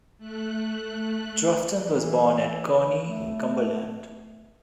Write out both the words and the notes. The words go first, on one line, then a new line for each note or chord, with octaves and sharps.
Troughton was born at Corney, Cumberland.
A3 F#6
E3
A3